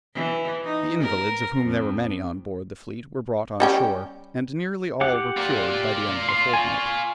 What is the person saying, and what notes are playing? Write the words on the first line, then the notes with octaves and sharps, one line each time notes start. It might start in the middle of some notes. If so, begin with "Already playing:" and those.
The invalids, of whom there were many on board the fleet, were brought on shore, and nearly all were cured by the end of a fortnight.
E3
D#4
A#4
F2
G3 C#4 G5
G4 F#5 D6
F4 D5
C6
G#5 C#6